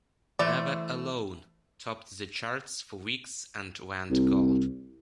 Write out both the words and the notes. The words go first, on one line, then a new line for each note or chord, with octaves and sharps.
"Never Alone" topped the charts for weeks and went gold.
E3 A3 C5 D5
C2